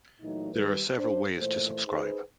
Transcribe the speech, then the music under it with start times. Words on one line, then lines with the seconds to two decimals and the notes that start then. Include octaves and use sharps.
There are several ways to subscribe.
0.21 A#2 E3 F#3 A3 D#4
0.53 D#3 G3 B4
0.98 D4 C5
1.38 A#2 E3 A3 C5
1.86 D#4 G#4 B4 C5